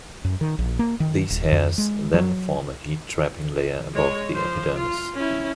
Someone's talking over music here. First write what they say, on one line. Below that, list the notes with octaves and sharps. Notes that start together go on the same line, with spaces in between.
These hairs then form a heat-trapping layer above the epidermis.
F#2
D#3
A#1
A#3
D#3
D#1
F2
G#3
F#3
G#3 C#5
F3 C5
F4
C#4 E4